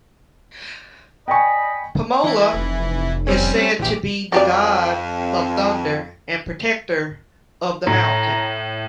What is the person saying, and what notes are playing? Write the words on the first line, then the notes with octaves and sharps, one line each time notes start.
Pamola is said to be the god of Thunder and protector of the mountain.
D5 D#5 G5 G#5 B5 C#6
E3 E4
F1
G3 C4 C#4
A#1 E3 G4
F2 F#4 G4 D5
A2 A#5